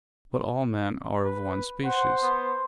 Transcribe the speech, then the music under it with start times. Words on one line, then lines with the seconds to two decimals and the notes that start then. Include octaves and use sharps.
But all men are of one species.
1.24 B4
1.84 C5 F#5
2.22 B3